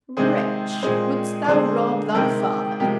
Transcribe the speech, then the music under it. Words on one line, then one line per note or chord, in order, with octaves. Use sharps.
'Wretch! wouldst thou rob thy father?'
C3 D#3 G#3 C4 G#4 C5
A#2 G#3 C4 G#4 C5
D5
D3 G#3 C4 G#4 C5
C3 D#3 G#3 C4 G4 A#4
C3 F3 G#3 G4 A#4